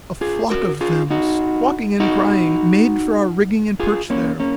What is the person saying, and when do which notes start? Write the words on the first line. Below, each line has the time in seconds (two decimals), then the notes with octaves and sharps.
A flock of them, squawking and crying, made for our rigging and perched there.
0.21 F4 G#4
0.50 F#4 A#4
0.81 F4 G#4
1.10 D#4 F#4
2.00 D#4 F#4
3.80 F4 G#4
4.10 A#3 C#4
4.40 A#3 C#4